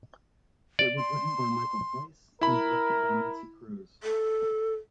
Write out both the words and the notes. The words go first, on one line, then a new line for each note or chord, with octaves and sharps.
It was written by Michael Price and directed by Nancy Kruse.
D5
C6
E4 A#4 B5
A4